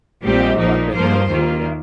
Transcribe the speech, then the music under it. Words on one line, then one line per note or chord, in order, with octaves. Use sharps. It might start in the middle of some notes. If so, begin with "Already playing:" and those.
Oh, I've been there before, yeah.
A#1 A#2 G3 C4 G4
A#1 A#2 F3 A#3 D#4
G2 F3 A#3 F4 C5
D#2 D#3 A#3 F4